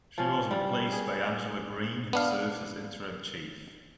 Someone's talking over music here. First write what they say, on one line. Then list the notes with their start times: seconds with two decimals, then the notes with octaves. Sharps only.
She was replaced by Angela Greene who serves as interim chief.
0.18 F3 C#4
0.51 G3
0.92 G#4
2.13 B3 D4 F5